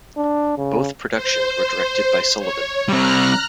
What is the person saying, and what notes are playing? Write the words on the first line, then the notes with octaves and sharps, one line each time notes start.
Both productions were directed by Sullivan.
D4
C#3
C5
C#5
G3 C4 A#5 F6 F#6